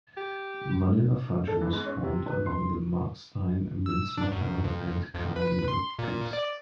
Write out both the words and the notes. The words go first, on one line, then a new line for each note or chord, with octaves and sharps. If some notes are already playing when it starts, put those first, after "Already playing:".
Vanilla Fudge was formed along with Mark Stein, Vince Martell, and Carmine Appice.
G4
A4
E3
G#2
C#4
C3
B4
C6
E6
D4
F#2
F2
F2
B4
C6
A#2
D5